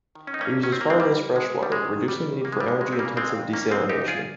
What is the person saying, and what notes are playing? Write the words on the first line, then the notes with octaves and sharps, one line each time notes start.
It uses far less fresh water, reducing the need for energy-intensive desalination.
D#3
C#4
D#4
G2 A#3 C#4
D#3 C#4
C4
A#3
D#3 G#3 C4
G3 A#3
D#2
C3 G#3
C2 G3
G#3
D#3
D#3 G3
D#3
A#3
G#3
G2 G3
G#3
C#3 G#3
C4
G3 A#3
C#3
G#3 C4
F2
A#2 A#3 C#4
G#3 C4
A#2
D#4 G4
C2
F4 G#4